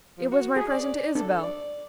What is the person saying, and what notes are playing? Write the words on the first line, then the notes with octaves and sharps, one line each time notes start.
"It was my present to Isabel."
F3
F#4
G#4
D5
D4 A4
D5